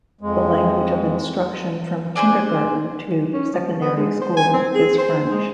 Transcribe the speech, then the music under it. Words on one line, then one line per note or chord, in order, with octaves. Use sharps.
The language of instruction from kindergarten to secondary school is French.
F2 G#3
D4 G#4 A4 C5
C#4
F3
B3
G#3
C5
G#5
C4
G#4
C5
G#3